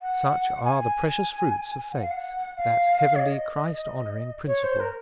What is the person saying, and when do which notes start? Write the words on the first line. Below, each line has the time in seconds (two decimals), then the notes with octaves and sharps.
Such are the precious fruits of faith,--that heavenly, Christ-honoring principle.
0.02 F#5
0.64 G#5
0.80 G#5
1.92 F#5
2.01 F5
2.10 F#5
2.56 F5
3.15 C#5
3.19 D#5
4.47 C#5
4.63 C5
4.79 A#4